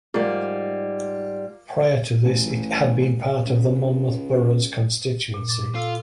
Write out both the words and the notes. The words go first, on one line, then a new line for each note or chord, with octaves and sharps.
Prior to this it had been part of the Monmouth Boroughs constituency.
G#2 F3 G3 A#3 D5
A1
C#2
A#2
D6 A6
F4 A4 E6